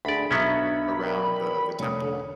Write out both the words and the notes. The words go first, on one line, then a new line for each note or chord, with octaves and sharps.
around the the temple,
D2 D4 G#4 D5 B5
B1 F#3 B3 C#4 D4 E5 A#5 B6
A#4 D5 G5
F1 C#5 D#6